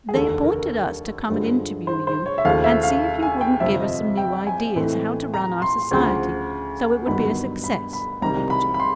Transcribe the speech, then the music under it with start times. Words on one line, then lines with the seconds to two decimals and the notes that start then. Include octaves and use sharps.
"They appointed us to come and interview you, and see if you wouldn't give us some new ideas how to run our society so it would be a success," he put in.
0.09 G#4
0.14 F1 D#2 D3 A4
0.43 A#4
1.30 G2 D3 F3 G#3
1.87 C5
2.07 C5
2.26 C#5
2.38 E5
2.45 D#2 C#3 F3 A3 F5
2.64 E5
2.83 F5
3.22 G#5
3.41 G5
3.60 G1 F2 C3 F3 E5
3.80 D#5
4.17 G5
4.47 G#5
4.76 A2 E3 A3 C4 D#4
5.34 A#5
5.62 C6
5.91 D2 C#3 F3
7.07 G1 G2 D#3 F#3 B3 B5
7.64 B5
7.93 B5
8.22 C2 C3 D#3 G3 A#5
8.50 B5
8.74 B5
8.80 C6